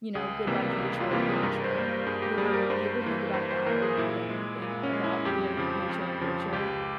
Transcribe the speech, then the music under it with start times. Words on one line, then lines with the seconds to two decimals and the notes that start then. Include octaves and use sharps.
you know, good by nature or nurture. You ever you ever think about that or read anything, uh, about nur nature or nurture?
0.15 C#2 G#4
0.47 C3 E3 G3 A#3
0.79 C#2
1.00 F4
1.11 C3 E3 G3 A#3 G4
1.29 G#4
1.42 G2 A#4
1.64 C5
1.75 G3 A#3
1.85 C5
2.06 G2 G#4
2.22 G4
2.38 G3 A#3 G#4
2.54 A#4
2.70 G2 C5
3.02 E3 A#3
3.34 G2 C5
3.51 C5
3.66 E3 A#3 A#4
3.82 G#4
3.97 A#2 E4
4.29 G#3
4.62 A#2
4.83 C#4
4.93 G#3
5.04 E4
5.25 F2 G4
5.57 C#3 F3
5.89 F2
6.21 C#3 F3
6.53 C#2 G4